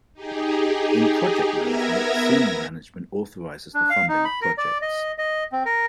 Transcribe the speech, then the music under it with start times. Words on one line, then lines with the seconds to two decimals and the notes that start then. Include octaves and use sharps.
In project management, senior management authorises the funding of projects.
0.14 D#4 G4 G#4
1.56 B3 A#4 E5 G#6 A#6
3.74 D4
3.90 F5
4.09 D#4
4.25 B5
4.42 A#4
4.58 D5
4.82 D#5
5.18 D#5
5.52 C4
5.66 A#4